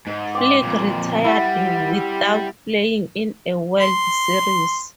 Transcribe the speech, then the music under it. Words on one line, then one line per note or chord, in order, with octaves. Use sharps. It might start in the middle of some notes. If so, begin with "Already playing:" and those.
Flick retired without playing in a World Series.
G#2
C4 D6
F2 A#2
G3 E4 F#5
C6